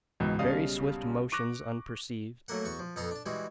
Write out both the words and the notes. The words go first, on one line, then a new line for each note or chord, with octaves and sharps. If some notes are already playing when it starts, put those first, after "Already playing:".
Very swift motions unperceived.
C#2 G#2 B2 E3
B1 C#3 G3 F5 D#6
C#6 D6 F#6 A#6
F#3 A3 A#3 F#5
E2 F#4 C#6
F3
F2 B3 A4 A#5 C6
D4 A5
E3 G3 G#3 F#4